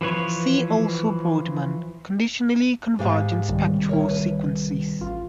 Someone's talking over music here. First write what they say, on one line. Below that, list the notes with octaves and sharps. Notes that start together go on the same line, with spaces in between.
See also Boardman, Conditionally Convergent Spectral Sequences.
E3 F3 B4 C#5
G#2 G4 F5
C2 D#3 G3
E4 A#4 C#5
B4
A1 F4